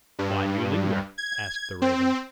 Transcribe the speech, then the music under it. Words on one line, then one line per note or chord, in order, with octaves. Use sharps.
"Why do you linger?" asked the raven.
G2
G#6
C4